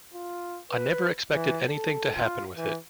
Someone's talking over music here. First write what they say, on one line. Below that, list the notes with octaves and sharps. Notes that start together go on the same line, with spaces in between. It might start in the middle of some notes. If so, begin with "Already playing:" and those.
I never expected anything to happen with it.
F4
B4
E3
A4
F4
E3